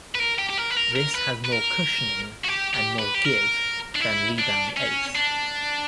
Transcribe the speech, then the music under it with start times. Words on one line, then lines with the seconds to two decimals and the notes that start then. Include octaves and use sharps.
This has more cushioning and more "give" than Rebound Ace.
0.15 B4
0.20 A#4
0.39 G4
0.50 G4
0.58 A#4
0.70 B4
0.77 A#4
0.96 A#4
1.15 B4
1.45 B4
1.52 A#4
2.44 F#4
2.48 G4
2.74 G4
2.99 B4
3.14 G4
3.25 A#4
3.96 D4
4.01 E4
4.39 D4
4.77 C#4
5.15 D4